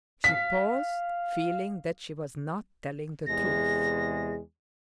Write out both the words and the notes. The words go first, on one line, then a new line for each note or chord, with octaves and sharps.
She paused, feeling that she was not telling the truth.
F5 B6
E2 C3 G#3 A#6